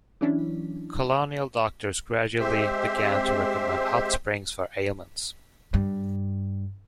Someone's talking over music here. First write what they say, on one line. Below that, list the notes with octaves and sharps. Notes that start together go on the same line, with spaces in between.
Colonial doctors gradually began to recommend hot springs for ailments.
E3 F#3 C#4 D4 E4
G#3 C4 G4 C5 E5
G2